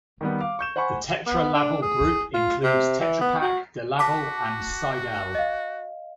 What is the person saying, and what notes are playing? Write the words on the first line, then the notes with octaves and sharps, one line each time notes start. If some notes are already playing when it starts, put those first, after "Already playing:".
The Tetra Laval Group includes Tetra Pak, DeLaval and Sidel.
D#3 G3 B3
F5 D6
C#6 G6 E7
C5 F#5 G#5 B5 C#6
B3
D4
G#4
F4
C3
E3
B3
F#4
F#4 A5 D6 B6
D#5 F5